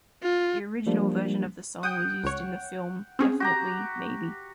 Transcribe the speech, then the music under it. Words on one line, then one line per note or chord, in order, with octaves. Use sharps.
The original version of the song was used in the film, "Definitely, Maybe".
F4
F3 G3 A#3 D4
F#5 G5 D#6
C#2 C#5
C4 C#4 G#4
F#4 G4 A#5